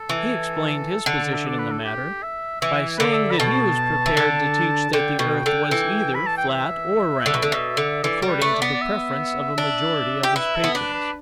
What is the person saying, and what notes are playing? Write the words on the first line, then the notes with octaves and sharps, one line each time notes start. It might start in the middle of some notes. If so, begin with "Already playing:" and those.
He explained his position in the matter by saying that he was prepared to teach that the earth was either flat or round, according to the preference of a majority of his patrons.
Already playing: A4
E3
D3
E5
D5
B4
A4
G4
E5
E3 E5
D3 B4
D5
E5
B5
B2 A5
E3
D3
D3 G5
B2
D3
E3
B5
A5
G5
E5
D3
B2
D3
B2
D3
E3 D5
G3
B4
A3
D5
B3
D5
E5
D4
G4
E4 B4
A4
B3
D4 B4
B4